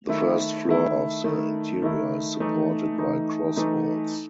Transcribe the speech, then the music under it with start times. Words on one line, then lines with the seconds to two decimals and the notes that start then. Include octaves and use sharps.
The first floor of the interior is supported by cross vaults.
0.09 D#3 A3 E4
0.67 D#3 A3 E4
1.24 D#3 A3 E4
1.82 D#3 A3 E4
2.40 E3 A3 D#4
2.98 E3 A3 D#4
3.56 E3 A3 D#4